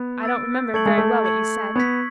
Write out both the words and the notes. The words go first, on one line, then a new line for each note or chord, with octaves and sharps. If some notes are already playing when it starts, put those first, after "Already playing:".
I don't remember very well what you said.
Already playing: B3
E6 A6 D7
A3 C#6 G#6 C#7 F#7
G#3
A3
C#6 G#6 C#7 F#7
B3 C#6 G#6 B6